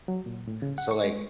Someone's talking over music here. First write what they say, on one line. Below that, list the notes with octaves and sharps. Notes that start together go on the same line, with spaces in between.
so like
F#3
A#2
A2
C#3
F#5
C#6
G#3